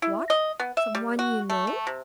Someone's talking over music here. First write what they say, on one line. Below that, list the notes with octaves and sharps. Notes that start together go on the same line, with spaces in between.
"What! someone you know?"
E4
D#5
B3
E5
G3
F#4
A3
A3
C3